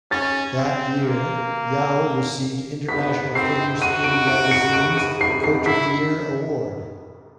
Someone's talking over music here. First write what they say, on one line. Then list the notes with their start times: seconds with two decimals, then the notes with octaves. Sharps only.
That year, Yao received "International Figure Skating Magazine"'s Coach of the Year award.
0.11 C#4 A6
0.57 C4
1.03 A#3
2.89 B3 B6
3.35 C4 C7
3.81 F#4 D#7
4.04 D7
4.27 D7
4.51 C#7
4.73 D7
4.97 D#7
5.21 C7
5.44 C7
5.66 E4 B6